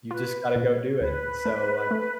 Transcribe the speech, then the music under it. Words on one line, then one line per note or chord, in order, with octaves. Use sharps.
you just gotta go do it, and so, like,
F4 B4
B4
A#2
C#5
D2 B4
A3
A3